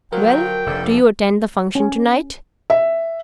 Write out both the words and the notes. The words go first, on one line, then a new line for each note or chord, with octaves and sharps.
Well, do you attend the function to-night?
D3 F3 F#3 A#4 G5
F1 F3 D4 A4
C#4
E5